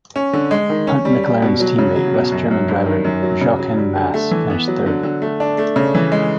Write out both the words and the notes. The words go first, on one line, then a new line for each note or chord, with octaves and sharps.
Hunt's McLaren team mate, West German driver Jochen Mass, finished third.
C#4
D3
G#3
D#3
C#4
G3
G3
B2
F#3
C#3
F#3
B2
F#2
F#2
G2
D#3
F#2
F#3
C#3
F#3
G3
D3
A3
E3
B3
F#3
D3
D3
A3
D4
A3
C#3
E3
G#3